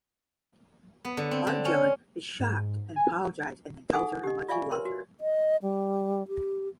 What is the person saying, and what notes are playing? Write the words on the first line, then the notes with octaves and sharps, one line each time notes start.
Arjun is shocked and apologizes and then tells her how much he loved her.
B3
D3
C4
D3
C#4
G#2
G#5
D#4 G#4 A4 F#5 G#5 D#6
G4 D#5
F4 D5 E5 F5 G#5 C#6
A#4 B4 C#5 C6
F#4
D#5
G3
G4